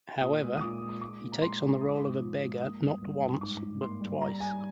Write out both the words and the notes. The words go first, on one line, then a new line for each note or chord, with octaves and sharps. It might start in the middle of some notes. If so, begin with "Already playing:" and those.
However, he takes on the role of a beggar not once, but twice.
A#2 D#6
G#3
D#6
A#2 D6
G#3
D#6
G#3 D6
A#2
A#5
G#3 C6
G#3
F3 D#6
D6
C6
G#2 D6
F3
G#3
A#3 D#6
G2
G2
G2
G#2 D6
G#2
A#3 C6
G3
G3 A#5
G3 G#5